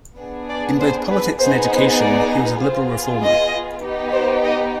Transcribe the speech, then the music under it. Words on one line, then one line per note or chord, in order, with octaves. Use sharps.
In both politics and education, he was a liberal reformer.
B3 D4 G#4
D5
C5
B4
B3 D#4 G#4 C5
C5
D5
B3 F4 G#4 C5
D#5
B3 D#4 G4
C5
D#5